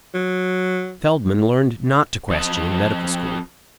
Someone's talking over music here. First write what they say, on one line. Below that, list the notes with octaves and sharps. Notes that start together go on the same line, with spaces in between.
Feldman learned not to question in medical school.
F#3
F2 F3 D#5 A5